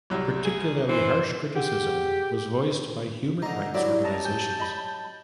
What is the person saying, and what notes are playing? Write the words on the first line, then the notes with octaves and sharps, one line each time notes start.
Particularly harsh criticism was voiced by human rights organizations.
C2 F#3 G3
G#4
E3 C5
G4 G#4 F#5
D3 G#3 A#5
F#3 E4 G4 A#4 D5 E5
C#4 D#5 A5 A#5
G#5 G6
D#5 B5